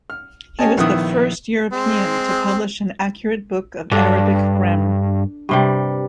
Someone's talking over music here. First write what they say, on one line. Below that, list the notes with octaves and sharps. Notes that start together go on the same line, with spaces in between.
He was the first European to publish an accurate book of Arabic grammar.
F6
C#4 G4 D#5 G#5 A5
A#1 D#3 B3 E4 D#6 F#6
G#3 C4
G2 D4 A4
G2 C3 G3